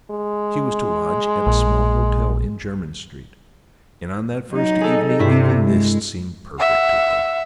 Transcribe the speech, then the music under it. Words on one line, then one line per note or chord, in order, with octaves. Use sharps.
She was to lodge at a small hotel in Jermyn Street; and on that first evening even this seemed perfect to her.
G#3
A#1
F#3 D#4
G#4 A4
G2 C3 E4 B6
G#3
E5 F#5